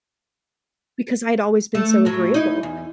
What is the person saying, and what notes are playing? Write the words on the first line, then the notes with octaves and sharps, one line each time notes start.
because I'd always been so agreeable.
A3
A2 F#3
D#4 E4
E2